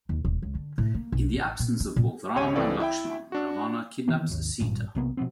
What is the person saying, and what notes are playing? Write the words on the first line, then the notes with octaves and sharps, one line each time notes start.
In the absence of both Rama and Lakshman, Ravana kidnaps Sita.
D#2
D#1
C#2
D3
A2
A#3
B1
A1
A#2
D4
A#2
G#1 C#2 G4 C#5 G#6 D#7
C#2 E3 C4 A4 D5
E4 E5 G5
D4 F#4
D#3 E3 A#3 B3
G#1 D#2
G#1 G2 A#2
B1 C3 A#3 B3
B2 F3 B3 C4